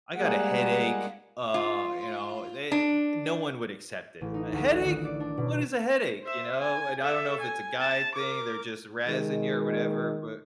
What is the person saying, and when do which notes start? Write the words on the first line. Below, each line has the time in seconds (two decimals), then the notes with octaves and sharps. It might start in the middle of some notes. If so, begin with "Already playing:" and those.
"I got a headache,” uh, you know, they, uh no one would accept it, “A headache? What is a headache?” You know? And I don't know if it's a guy thing. They're just razzing you or whatever, but
0.16 G3 G#3 A#3 G#4 F#5
1.54 F4
2.72 D4
4.21 A1
4.34 D#4
4.53 D2
4.71 F#6
4.85 D#3
5.05 D5
5.20 D4
5.37 B2
6.22 C5 E5
6.60 G#5
7.02 A4 E5
7.41 G#5
7.80 A5
8.16 A#4 D6
9.08 D#3 G#3